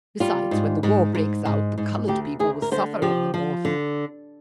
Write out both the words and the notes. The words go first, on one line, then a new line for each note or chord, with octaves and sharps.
Besides, when the war breaks out, the colored people will suffer in the North.
G3 F4
G#2
G#2
G#2
G#2
G#2
D2 G4
D2 G#4
A#4
D3 C5
F3 G4
F3
D3